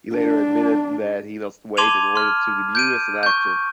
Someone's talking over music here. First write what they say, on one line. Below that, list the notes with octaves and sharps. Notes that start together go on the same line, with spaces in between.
He later admitted that he lost weight in order to debut as an actor.
D4
A5 C6 D6 G#6 D#7 F7
C6 F6
G6 D7 D#7
C#6 G6